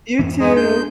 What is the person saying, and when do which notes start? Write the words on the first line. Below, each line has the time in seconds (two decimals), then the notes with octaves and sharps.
You too.
0.19 F2 G#2 E3
0.40 G#3 D#4 G#4 D#5
0.57 D4 G6